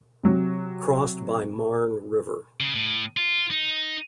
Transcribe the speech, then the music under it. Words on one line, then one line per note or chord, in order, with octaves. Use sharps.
Crossed by Marne River.
C3 F#3
C#3
A2
F4
D#4